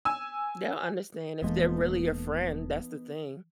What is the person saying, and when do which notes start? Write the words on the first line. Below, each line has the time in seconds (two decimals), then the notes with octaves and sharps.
They'll understand if they're really your friend. That's the thing.
0.05 G#5 E6
1.42 E1 E3 G#3 A#3 B3 D#4 A4